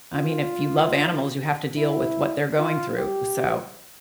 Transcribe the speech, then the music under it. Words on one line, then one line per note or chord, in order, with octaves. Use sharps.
I mean, if you love animals, you have to deal with what they’re going through, so,
F4
E4
F4
G4